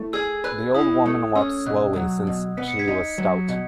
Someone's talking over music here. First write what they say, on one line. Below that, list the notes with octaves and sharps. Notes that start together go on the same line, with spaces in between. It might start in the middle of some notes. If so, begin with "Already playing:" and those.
The old woman walked slowly, since she was stout.
Already playing: A3 E4
G#4 E6 G#6
B4 F#6
E4 D#6
A3
C#4 E6
B2 F#6
F#3
B2
B3 B6
C#7
G#6 B6
D#4
F#3
B2